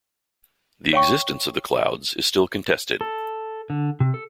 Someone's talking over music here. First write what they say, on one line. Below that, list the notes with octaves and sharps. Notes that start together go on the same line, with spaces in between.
The existence of the clouds is still contested.
C#5 F5 G5 C#6
A4
D3
C3
A4